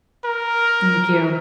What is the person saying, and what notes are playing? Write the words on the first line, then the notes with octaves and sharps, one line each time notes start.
Thank you.
A#4